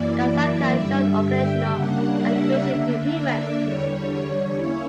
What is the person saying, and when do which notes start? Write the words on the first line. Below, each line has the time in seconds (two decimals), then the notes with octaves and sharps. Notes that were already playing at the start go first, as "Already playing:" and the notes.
Kasatka showed occasional aggression to humans.
Already playing: F#2 E3 A#3 E4 D5
0.26 E5
0.73 G2 D3 G3 E5
1.22 G5
1.69 C#3 G3 A#3 D4 F#5
2.17 E5
2.65 D3 A#3 D4
3.13 D5
3.60 E2 D3 G3 C#5
4.56 A#3 C#4 E4